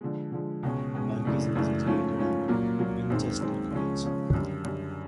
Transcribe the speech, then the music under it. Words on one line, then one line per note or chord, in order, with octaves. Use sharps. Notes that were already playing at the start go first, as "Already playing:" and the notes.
Burges was educated at Winchester College.
D3 F3 G#3
D3 F3 G#3
C#2 B2 G#3 C#4
C#2 B2 G#3 C#4
F#2 C#3 E3 A3 D4
F#2 C#3 E3 A3 D4
G#2 F3 A3 C#4 F4
G#2 F3 A3 C#4 F4
A#2 F#3 A#3
A#2 F#3 A#3
F#2 D#3 G#3 C4
F#2 D#3 G#3 C4
C#3 F3 G#3 C#4
C#3 F3 G#3 C#4
F#2 D3 G3
F#2 D3 G3